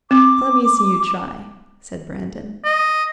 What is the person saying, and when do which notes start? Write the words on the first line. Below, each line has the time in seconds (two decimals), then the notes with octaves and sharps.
"Let me see you try," said Brandon.
0.11 C4 D6
2.65 D#5